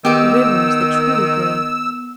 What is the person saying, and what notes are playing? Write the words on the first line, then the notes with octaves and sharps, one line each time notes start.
The river is the true grave.
D#3 B3 G4 D6 E6